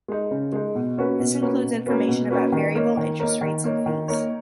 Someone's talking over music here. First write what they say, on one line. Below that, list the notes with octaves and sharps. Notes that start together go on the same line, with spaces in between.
This includes information about variable interest rates and fees.
G#3 D#4
C#3
G#3 D#4
B2
A#3 C#4 F#4 B4
B2
A#3 C#4 F#4 B4
B2
A#3 C#4 F#4 B4
B2
A#3 C#4 F#4 B4
D#3
A#3 D#4 A#4 C#5
D#3
A#3 D#4 A#4 C#5
D#3
A#3 D#4 A#4 C#5
D#3
A#3 D#4 A#4 C#5